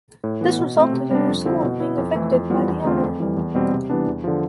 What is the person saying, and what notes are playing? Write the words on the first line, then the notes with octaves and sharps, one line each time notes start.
This resulted in her school being evicted by the owner.
A2
E3 B3
B2
A3 C4
C3
G3 B3 D4
F2
D3 F3 C4 E4
B2
B3 E4
F2
E3 A3 E4
F2
E3 G3 B3 F4
E2
D3 A3 C4 F4
F2
E3 G3
E2
B2 G3 C4
C3
E3 G3 B3 D4
E2
D3 F3